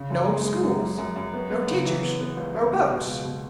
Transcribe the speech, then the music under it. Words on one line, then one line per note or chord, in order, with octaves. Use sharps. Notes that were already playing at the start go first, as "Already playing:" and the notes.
No schools, no teachers, no books!
Already playing: C#3
F#2
G#3
G#3
F#2
F#2
F#2
F#2
B3
B3
C#3
E3
B3
B3
C#2
C#2
C#2
B2
C#2
B2